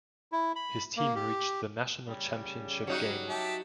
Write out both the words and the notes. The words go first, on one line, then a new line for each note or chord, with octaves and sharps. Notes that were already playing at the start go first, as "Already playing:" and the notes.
His team reached the national championship game.
E4
B5
A#3
G4
C#3 G3
F#3 D#4 F#4
G4 E5 A5